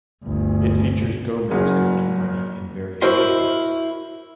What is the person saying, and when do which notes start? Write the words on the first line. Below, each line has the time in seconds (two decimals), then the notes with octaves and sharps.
It features Gomez counting money in various outfits.
0.24 G1 D2
1.50 F#1 F#3 A#3 G#4
3.02 E4 F#4 A#4 C5 D#5